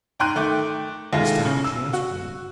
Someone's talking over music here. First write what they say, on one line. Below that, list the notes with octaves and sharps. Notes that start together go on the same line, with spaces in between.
This time she answered me.
G#2 G5 A#5 C6 F#6 D#7
D#3 A3 G5 D6
D#2 G#3 E4 F4 A4 A#6
C#3
E6
F#4